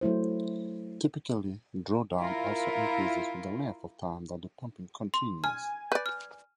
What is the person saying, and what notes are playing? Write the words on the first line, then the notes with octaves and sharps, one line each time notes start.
Typically, drawdown also increases with the length of time that the pumping continues.
F#3 A3 E4 C5
E4 F4 A#4
C6
G#5 F6
B4 D5 G6
F6